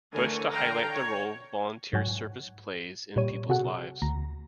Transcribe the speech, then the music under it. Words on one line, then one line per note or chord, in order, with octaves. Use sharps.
Bush to highlight the role volunteer service plays in people's lives.
D3 E3 A3 A#4 C#5 G#5
D3 F5 G5 A#5
C#5
G#2 F#3 C#5 F#5 G#5
A#2 G3 C#5 D#7
C3 F#4 G#4 A4 F#5
D2 A#5 A#6